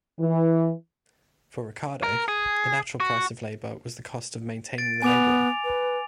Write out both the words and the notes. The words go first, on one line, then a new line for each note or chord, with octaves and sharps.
For Ricardo, the natural price of labor was the cost of maintaining the laborer.
E3
A#4
G#4
F#4
A6 D7
B3 G#5 D6 F7
B4